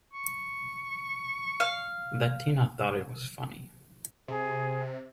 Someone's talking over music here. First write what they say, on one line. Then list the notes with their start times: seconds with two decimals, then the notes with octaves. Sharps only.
That Tina thought it was funny!
0.14 C#6
1.60 F5
4.28 C3 C4 G4 G#4 C5